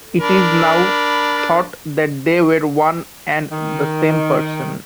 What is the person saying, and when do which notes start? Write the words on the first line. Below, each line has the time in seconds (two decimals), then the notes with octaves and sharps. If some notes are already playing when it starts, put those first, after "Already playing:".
It is now thought that they were one and the same person.
0.20 D4 A#4 B5
3.51 D#3